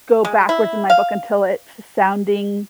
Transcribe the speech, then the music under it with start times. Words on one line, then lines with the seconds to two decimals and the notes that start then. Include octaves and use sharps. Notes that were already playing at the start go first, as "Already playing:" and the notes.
go backwards in my book until it's s sounding
0.25 G#3
0.49 E4
0.90 F5